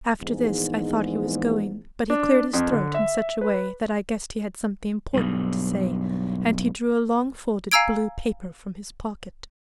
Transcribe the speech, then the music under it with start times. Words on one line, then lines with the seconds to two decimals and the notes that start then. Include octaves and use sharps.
After this I thought he was going, but he cleared his throat in such a way that I guessed he had something important to say, and he drew a long folded blue paper from his pocket.
0.22 A#1 E2 G#2
2.10 D4
2.53 F2
2.72 D3
2.94 E5
3.41 B4
5.14 B1 G2
7.71 F5 G#5 A#5 E6 G#6 D7